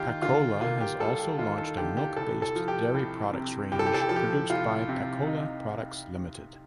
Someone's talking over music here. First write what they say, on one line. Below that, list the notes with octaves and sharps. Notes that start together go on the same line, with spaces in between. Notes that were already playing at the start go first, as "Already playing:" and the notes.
Pakola has also launched a milk-based dairy products range produced by Pakola Products Limited.
Already playing: D#2 F4 G4
D3 F4
A#3 F4
G4
G3 A4
G4
D#2 F4
A4
D3 G4
G4
C2 A4
A4
F3
G4
C2
C3
C2 G4
A4
G4
A4
G4
F3 A4
G4
C2 F4
C3
D#4